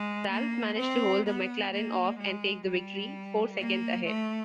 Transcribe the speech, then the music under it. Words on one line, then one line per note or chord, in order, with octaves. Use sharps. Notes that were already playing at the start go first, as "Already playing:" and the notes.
Ralf managed to hold the McLaren off and take the victory, four seconds ahead.
Already playing: G#3
A#3
C4
B3
A#3
G#3
G3
A#3
A3